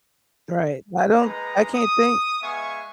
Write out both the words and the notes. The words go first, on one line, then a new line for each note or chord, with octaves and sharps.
Right, I don't I can't think
G#3 A#3 D#4 B4 A#5
D#6
G#3 B3 E5 F5 G#5 C#6